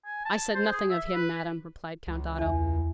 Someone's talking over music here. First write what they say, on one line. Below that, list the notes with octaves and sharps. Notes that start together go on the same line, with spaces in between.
"I said nothing of him, madam," replied Count Otto.
G#5
A5
C5
G#4
E5
B4
C#2
E2 E5 G#5